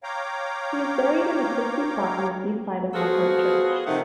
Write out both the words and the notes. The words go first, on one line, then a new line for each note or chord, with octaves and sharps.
He is buried in the Christie plot on the east side of Muckhart church.
C#5 F5 G5 A#5 D6
B3 F4 F#4 G#4 A4 C5
C3 D#3 F3 A3 D#4 F#5